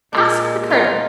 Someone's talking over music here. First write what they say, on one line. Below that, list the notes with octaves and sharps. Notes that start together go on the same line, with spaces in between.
"Ask the Colonel."
A#2 G#3 A#3 D4
D#4 F4 A#4